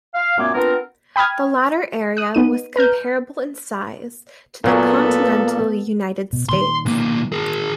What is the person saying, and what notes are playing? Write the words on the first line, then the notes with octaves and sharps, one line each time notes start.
The latter area was comparable in size to the continental United States.
F5
F#2 A#2 A3 B3 G#5 D6
B3 C4 D4 F4 A#4
G5 B5 D#6 F6 G#6
D#6 F#6
B3 D#4 D#7
B4 A#5 F6 G6
A#2 F#3 A#3 B3 A4
B2
A#2 D#3 C6
B1 A#3
G#4 A#4